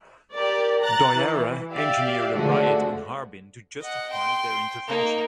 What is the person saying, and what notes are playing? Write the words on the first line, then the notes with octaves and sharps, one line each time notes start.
Doihara engineered a riot in Harbin to justify their intervention.
G4 A#4 D5
A#5 F#6 A6
E3
G4 D5 E5 F5
D3 F3 G#3 A3 F#4
D#5 F#5
G5 C6
A#3 D#4